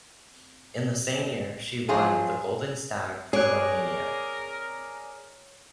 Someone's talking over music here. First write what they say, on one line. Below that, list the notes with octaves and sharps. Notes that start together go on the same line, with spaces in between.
In the same year, she won the "Golden Stag" for Romania.
F3 F#3 F4 G#4
G#4 A#4 C#5 D5 F#6